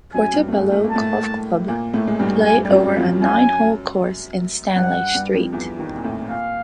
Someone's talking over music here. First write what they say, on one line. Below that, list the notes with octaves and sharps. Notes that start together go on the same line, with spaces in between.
Portobello Golf Club play over a nine-hole course in Stanley Street.
F#2 F#3 G#5
G2 G3
A3
G#2 G#3
A3
A#3
A2 A3 A5
A#2 A#3
A2 A3
G#3
G2 G3
G#5
G3
F#2 F#3
F2 F3
F#2 F#3 G#5
G2 G3 F#5
G2 G3
F2 F3
E2 E3
D#2 D#3
A#2
A2
A#2 F5